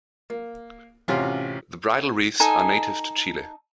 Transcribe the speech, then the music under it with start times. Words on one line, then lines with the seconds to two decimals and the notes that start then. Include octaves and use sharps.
The bridal wreaths are native to Chile.
0.30 A#3
1.08 A1 C3 C#4 F4 F#4 F5
2.40 D#4 A4 G#5